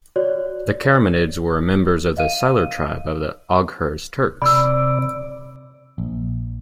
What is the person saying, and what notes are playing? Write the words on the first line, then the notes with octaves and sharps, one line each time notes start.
The Karamanids were members of the Salur tribe of Oghuz Turks.
F#4 C#5 D5
D#5 F5 D#7
C3 D5 B5 E6
A#1